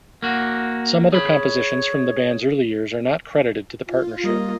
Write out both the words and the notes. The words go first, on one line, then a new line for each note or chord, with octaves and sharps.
Some other compositions from the band's early years are not credited to the partnership.
A#3 F#4 F#5
G#4 C#5 B5
F4
G3 A#3 D#5